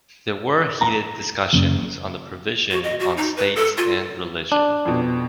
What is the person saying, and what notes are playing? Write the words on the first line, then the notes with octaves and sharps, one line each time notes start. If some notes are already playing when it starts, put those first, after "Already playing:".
There were heated discussions on the provision on state and religion.
A#5
F#1
F#4
D#5
F#4
D#4
B4
A4
F4
D4
F2 B2